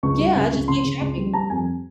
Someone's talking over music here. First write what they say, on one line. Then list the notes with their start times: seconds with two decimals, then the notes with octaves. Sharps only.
Yeah, I just like shopping.
0.03 C#2 C#6
0.19 G3
0.35 C#2
0.52 C#2
0.68 C#3 C6
0.84 C#3
1.01 C#2
1.18 G3
1.34 G3 A#5
1.50 F2 G#5